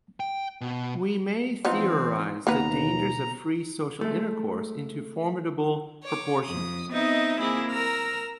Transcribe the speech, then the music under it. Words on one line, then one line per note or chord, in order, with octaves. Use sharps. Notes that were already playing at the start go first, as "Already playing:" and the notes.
We may theorize the dangers of free social intercourse into formidable proportions.
G5
B2
E3 F3 B3 C4 D#4
D#2 B2 A#3 B3 B4 A#5
G#3 A3
C#5 D6
F2 D#6
B3 C4 D#4 D#5 E5
A#3 C4 E4 G#4
A#4 A#5 E6 F6